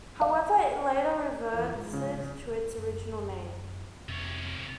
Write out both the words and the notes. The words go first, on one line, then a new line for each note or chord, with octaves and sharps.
However, it later reverted to its original name.
F5
F2 E3
G#2 F3
C#3
F#2
F2 C3 C#5